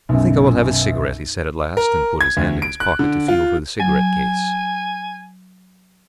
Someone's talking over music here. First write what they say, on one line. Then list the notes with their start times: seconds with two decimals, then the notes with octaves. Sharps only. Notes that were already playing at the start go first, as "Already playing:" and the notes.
"I think I will have a cigarette," he said at last, and put his hand in his pocket to feel for the cigarette-case.
0.09 B1 F#2
1.77 A#4
2.21 G#6
2.37 D2
2.62 D7
2.80 F#6
2.99 D3
3.28 F4
3.80 F#3 G#5